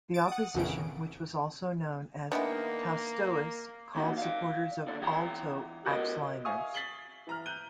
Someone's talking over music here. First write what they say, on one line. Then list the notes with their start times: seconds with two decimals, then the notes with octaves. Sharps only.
The opposition, which was also known as "taistoists", called supporters of Aalto "axe liners".
0.14 A6 D7
0.28 F#5 D#6
0.54 A#1 F2 C#3 E3 D7
2.32 D#3 G#3 A#3 B3 D4 E4
3.95 E3 A#3 D#4 F#4
4.18 D5 F5
4.87 D#2 D3 D5
5.01 E3 G#4 G5 A#5
5.86 F#4 A#4 D5 D#5
6.45 E5 F5 G#5 C#6 D#6
6.74 A6 B6 C7 F#7 G7
7.27 E3 A#5 F6
7.46 F#6 G6 D#7 G7